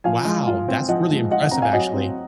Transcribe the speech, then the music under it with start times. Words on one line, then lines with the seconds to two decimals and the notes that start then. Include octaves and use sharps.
Wow, that's really impressive, actually.
0.04 F3 F5 G#5
0.25 G#3
0.47 F4
0.68 C4
0.89 F3 D#5 F#5
1.10 G#3
1.31 F4 D#5 F#5
1.41 D#5 F#5
1.51 C4 F#5 A#5
1.62 F5 G#5
1.73 F#3 D#5 F#5
1.94 C4